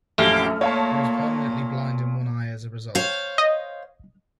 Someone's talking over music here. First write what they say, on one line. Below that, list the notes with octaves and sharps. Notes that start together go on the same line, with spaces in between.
He was permanently blind in one eye as a result.
A#1 F#2 E3 A3 A#3 G4 F6
A#2 A#3 C#5 F5 A5
C5 C#5 F5
D#5